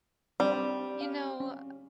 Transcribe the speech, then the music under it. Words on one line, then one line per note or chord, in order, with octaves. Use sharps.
You know, uh,
G3 C4 D4 C5
F5
C#4